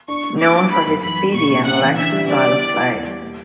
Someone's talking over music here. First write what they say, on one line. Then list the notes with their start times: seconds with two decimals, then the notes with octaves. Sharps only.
Known for his speedy and electric style of play.
0.08 D4 C#6
0.24 D4
0.40 A#3 D6
0.56 G3
0.71 G3 B5
0.87 F#2
1.02 E3 B5
1.18 G3
1.34 A#2 C#6
1.50 A#3
1.65 C#4 F#5
1.81 E3
1.97 D3 E5
2.12 G3
2.28 D3 D5
2.44 B3
2.59 E4
2.74 E4
2.90 E2
3.06 G3
3.21 A#3